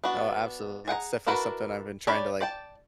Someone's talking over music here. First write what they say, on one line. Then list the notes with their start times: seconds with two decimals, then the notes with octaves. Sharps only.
No, absolutely, it's definitely something I've been trying to, like,
0.04 B3 D4 F#4
0.88 G#4 F#5 G5 A#5
1.27 D4 E4 F#4 A#4 B4
2.07 D4 G4 C#5 D5 B5
2.41 D5 G5 A5